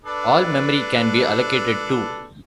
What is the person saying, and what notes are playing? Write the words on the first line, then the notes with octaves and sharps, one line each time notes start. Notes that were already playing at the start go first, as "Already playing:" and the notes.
All memory can be allocated too.
D4 A4 B4